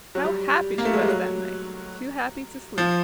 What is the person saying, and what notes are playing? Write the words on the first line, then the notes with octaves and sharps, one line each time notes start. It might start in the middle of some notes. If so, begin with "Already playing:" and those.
How happy she was that night--too happy to sleep.
F#3
G3
A#3
A3
G#3
G3
F#3
F3